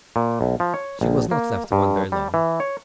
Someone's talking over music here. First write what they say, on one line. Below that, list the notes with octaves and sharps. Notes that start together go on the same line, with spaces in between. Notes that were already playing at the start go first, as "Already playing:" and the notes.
She was not left to wonder long.
A#2
B1
F3
C#5
A#1
A#3
G2
G3
E3
C#5